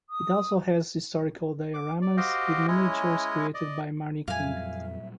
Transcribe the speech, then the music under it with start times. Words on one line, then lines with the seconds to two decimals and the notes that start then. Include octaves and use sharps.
It also has historical dioramas with miniatures created by Marnie King.
0.10 D#6
1.74 D6
2.02 D5
2.17 F#4 G4 C5 D#5 F5 G5
2.68 G#3 C#4 E4 C#5 D#5
3.54 D5 D#5
4.28 F2 A#2 F#3 G3 E5 F5 G#5